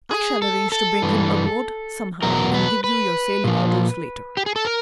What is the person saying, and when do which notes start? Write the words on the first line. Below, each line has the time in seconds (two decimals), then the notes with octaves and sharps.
"I shall arrange to bring him aboard somehow, and give you your sailing orders later."
0.11 G#4
0.42 A4
0.72 A4
1.02 G2 E3
2.22 E2 B2 F#3 A#4
2.54 B4
2.84 B4
3.44 A#2 F3
4.37 G4
4.46 G#4
4.56 A4
4.65 A#4